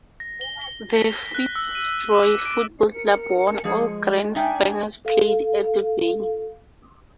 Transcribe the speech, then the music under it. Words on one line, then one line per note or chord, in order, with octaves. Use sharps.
The Fitzroy Football Club won all grand finals played at the venue.
A#6
G7
G7
B6
G7
F#6
E6
D#7
D6
D7
A#4 C#7
F3 G#3 G#4
D4 D#4 E5 G5 G#5
A4 F5